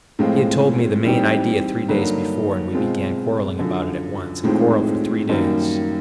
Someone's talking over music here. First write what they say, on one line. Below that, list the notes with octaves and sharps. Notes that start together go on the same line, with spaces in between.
He had told me the main idea three days before, and we began quarreling about it at once and quarreled for three days.
A2 F3 G#3 C4 F4
E3 G3 C4 D#4 G4
G2 D3 F#3 A#3 D#4
B2 G#3 C4 F4
F#2 D3 F3
A2 F3 G#3 C4 D#4
F#2 D#3 G3 A#3